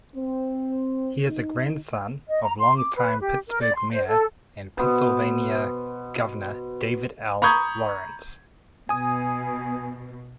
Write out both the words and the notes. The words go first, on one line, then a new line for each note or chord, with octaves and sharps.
He is a grandson of longtime Pittsburgh mayor and Pennsylvania Governor David L. Lawrence.
C4
D#4
D#5
A#5
C6
D6
B4
G4
A#4
D5
C6
C5
A4
B2 B3 C5
A#5 B5 C#6 D#6 G6 G#6
B2 G#5 D#6